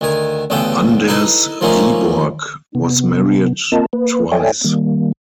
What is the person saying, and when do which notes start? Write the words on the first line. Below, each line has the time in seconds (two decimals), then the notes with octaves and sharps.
Anders Wiborg was married twice.
0.01 D2 D#3 G#5
0.50 A1 D2 C#3 B3 A4 G5
1.08 D#4 E4 A4 B4
1.61 F3 A3 A#3 C#4 D#4
2.75 C3 B3
3.72 A#3 C4 F4 A#4 D#5 A5
3.93 A#3 B4
4.32 A4 C#5 D5 E5 G5 G#5
4.64 D#3 G3 A#3